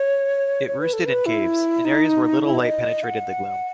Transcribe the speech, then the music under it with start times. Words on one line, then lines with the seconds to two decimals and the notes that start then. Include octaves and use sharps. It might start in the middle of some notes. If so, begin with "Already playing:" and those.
It roosted in caves, in areas where little light penetrated the gloom.
Already playing: C#5
0.68 C#5
0.80 B4
0.93 A4
1.06 B4
1.26 E4
1.85 D#4
2.44 E4
2.59 D#5
3.03 F#5